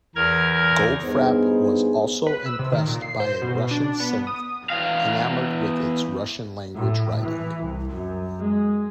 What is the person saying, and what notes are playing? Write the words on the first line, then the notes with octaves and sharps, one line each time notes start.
Goldfrapp was also impressed by a Russian synth, enamored with its Russian-language writing.
E2 A#4 F6 G#6
G2 B3 D#4 G#4 C5
B4
E6
C3
D#3
A#2
C7
C5
B2
D4
B3
D#6
E2 F5
A2
E3
C2
F#2
G#3